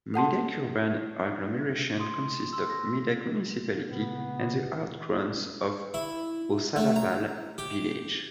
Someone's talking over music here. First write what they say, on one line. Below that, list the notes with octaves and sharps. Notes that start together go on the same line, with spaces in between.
Medak urban agglomeration consists of Medak municipality and the out growth of Ausulapalle village.
A4 F#5 A5 C6
C6 D#6
C6 E6
A#6
A#2 C#3 B3
E4
A3
A#5
G4